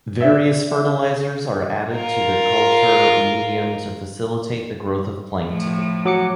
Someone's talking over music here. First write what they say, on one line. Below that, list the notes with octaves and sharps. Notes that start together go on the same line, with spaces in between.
Various fertilizers are added to the culture medium to facilitate the growth of plankton.
D4 E5
F4 A#4
A2 F3
F#3 D6 C#7